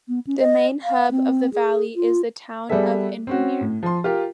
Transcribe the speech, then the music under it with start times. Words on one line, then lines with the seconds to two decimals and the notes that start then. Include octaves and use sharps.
The main hub of the valley is the town of Invermere.
0.08 B3
0.27 C#4
0.40 D#5
0.84 F5
1.11 C4
1.54 G#4
1.96 F4
2.69 G3 B3 G#4 A4 E5
3.27 C4 C#4 F#4
3.61 A2
3.83 F3 C6
4.04 F4 G4 A#4